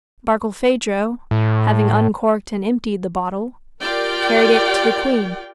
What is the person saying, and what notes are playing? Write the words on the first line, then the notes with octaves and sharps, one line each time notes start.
Barkilphedro, having uncorked and emptied the bottle, carried it to the queen.
A2
F4 G4 A#4 D5 G5